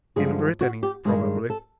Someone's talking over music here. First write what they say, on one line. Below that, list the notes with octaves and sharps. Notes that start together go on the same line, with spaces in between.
"In Brittany, probably."
G2 D3 F3 G#3 G#4
F#4
G4
G2 D#3 G#3 G#4
A4